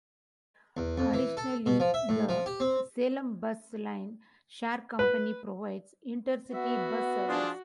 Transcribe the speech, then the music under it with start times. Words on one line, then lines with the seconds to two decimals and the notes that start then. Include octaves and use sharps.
Additionally, the Selam Bus Line Share Company provides inter-city bus service.
0.77 E2
0.98 F2
1.14 E3
1.37 A4
1.66 B2
1.80 F3
1.94 E5
2.09 A2
2.29 F3
2.46 G4
2.60 C4
4.99 B4
6.53 B3 F#4 E5
7.28 F3 D4 F4 G#4